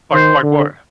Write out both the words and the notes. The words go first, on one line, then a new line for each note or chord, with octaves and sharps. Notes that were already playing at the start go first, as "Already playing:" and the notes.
like like what?
D#3 C5
D3